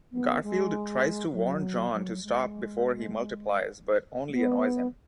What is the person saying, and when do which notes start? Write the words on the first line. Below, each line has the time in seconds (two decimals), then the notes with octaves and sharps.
Garfield tries to warn Jon to stop before he multiplies, but only annoys him.
0.12 B3
0.43 G#3
1.33 F#3
1.92 F#3
2.23 G#3
4.28 G#3
4.33 B3